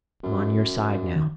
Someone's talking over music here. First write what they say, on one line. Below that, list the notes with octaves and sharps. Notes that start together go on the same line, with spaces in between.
"I'm on your side now."
F#2
D#3